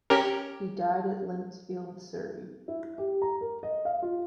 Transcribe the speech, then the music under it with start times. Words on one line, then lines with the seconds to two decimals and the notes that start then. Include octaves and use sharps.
He died at Limpsfield, Surrey.
0.10 C#4 G4 A#4
2.68 E4
2.98 G4
3.22 A#5
3.41 A#4
3.63 D#5
3.85 F5
4.02 F4